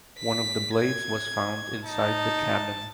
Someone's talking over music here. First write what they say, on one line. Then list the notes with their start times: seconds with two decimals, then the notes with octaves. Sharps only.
One of the blades was found inside the cabin.
0.19 B6
0.75 G#6
1.86 D#4 A5